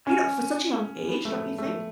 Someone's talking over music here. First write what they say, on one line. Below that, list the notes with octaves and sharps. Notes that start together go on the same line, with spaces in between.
I know for such a young age, don't you think?
C#4
B3
A3
A3